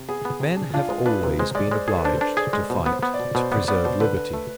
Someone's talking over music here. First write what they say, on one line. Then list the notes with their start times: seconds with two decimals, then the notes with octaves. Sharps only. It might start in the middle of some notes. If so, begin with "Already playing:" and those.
Men have always been obliged to fight to preserve liberty.
Already playing: C3
0.09 B3 G#4
0.25 B3
0.40 C3
0.57 D4
0.74 D4 F4
0.90 G#3
1.06 D4 B4
1.23 C3
1.39 G#3 C5
1.55 G#3 D5
1.71 G#3 C5
1.88 G#4 A4
1.98 B4
2.04 D4 C5
2.21 D4
2.37 G#4 D5
2.53 G#3
2.70 B2 C5
2.86 B3
2.92 C5
3.03 B3
3.14 D5
3.20 B2
3.35 B2 C5
3.52 B3 D5
3.68 B3 D5
3.84 B2 C5
4.00 D3 B4
4.17 D3
4.34 A3